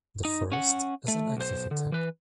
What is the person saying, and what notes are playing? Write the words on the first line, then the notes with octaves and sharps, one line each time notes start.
The first is an active attack.
D#4
C#4 F#5
A3
B1 C5
D3
E3 B4